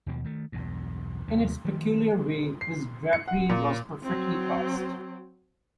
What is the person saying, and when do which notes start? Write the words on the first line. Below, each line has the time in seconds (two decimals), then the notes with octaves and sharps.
In its peculiar way his drapery was perfectly cast.
0.06 D#2 B2 F3
0.24 D#3 A3
0.52 B1 E2 G2
1.28 D#2 C3 G3
1.65 D#3 F3 A3
2.61 C7
3.13 C#7
3.28 F#5
3.49 A#2
4.03 F#3 C4